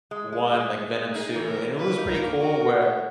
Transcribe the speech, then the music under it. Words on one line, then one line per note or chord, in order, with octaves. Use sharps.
one, like, Venom suit, and it was pretty cool where
G#3
G#3
G#3
G#3
G#3
D#4 G#4
E3
A#4
E3
A#3 B4
D#4
A#4
A#3
F#4 A#4
F#4
G#3